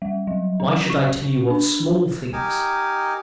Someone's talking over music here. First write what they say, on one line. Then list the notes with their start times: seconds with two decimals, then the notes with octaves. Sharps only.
Why should I tell you of small things?
0.02 G3
0.27 F#3
0.60 C#4
0.90 C#6
1.50 D4
2.33 D#4 G4 A#4 G#5